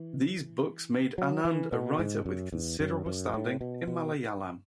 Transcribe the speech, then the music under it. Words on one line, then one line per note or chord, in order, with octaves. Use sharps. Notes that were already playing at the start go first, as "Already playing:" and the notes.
These books made Anand a writer with considerable standing in Malayalam.
Already playing: E3
F#3
E3
B2
G#2
F#2
E2
F#2
F#2
A2
B2
B2